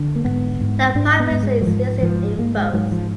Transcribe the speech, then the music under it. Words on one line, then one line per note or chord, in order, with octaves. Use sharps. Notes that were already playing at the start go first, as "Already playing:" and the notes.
The Prime Minister is listed in both.
Already playing: D3
A#3
G#2 B3
G#2
G#2 D4
B3
G#2
G#3
F#3
G#2 F3
G#2 F3
G#2 A#3
G#3
G#2 F#3
F3